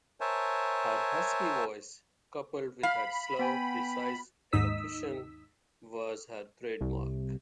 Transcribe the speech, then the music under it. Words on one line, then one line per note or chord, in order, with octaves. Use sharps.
Her husky voice, coupled with her slow, precise elocution, was her trademark.
A#4 C5 C#5 E5 G#5 A5
F5 B5
B3 G5 G#5
D#2 G#2 D#4 D#6 E6 B6
C2